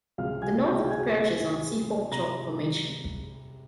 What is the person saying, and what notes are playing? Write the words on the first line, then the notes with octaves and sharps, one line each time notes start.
The north of the parish is on the Seaford Chalk Formation.
C#2 C3 F3 F5 F6
G#5 G#6
G5 G6
G#5 G#6
C3 A#5 A#6